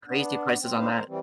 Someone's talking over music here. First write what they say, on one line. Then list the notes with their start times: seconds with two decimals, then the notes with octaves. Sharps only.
Crazy prices on that.
0.07 B3 D4
0.60 C4
0.76 C4 D4 D#4 B4 C5 F5
0.91 A#4 C5
1.08 E3 G3 C4